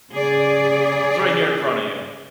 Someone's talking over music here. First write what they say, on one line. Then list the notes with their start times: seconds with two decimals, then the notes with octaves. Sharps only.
"It's right here in front of you.
0.12 C#3 G#4 D5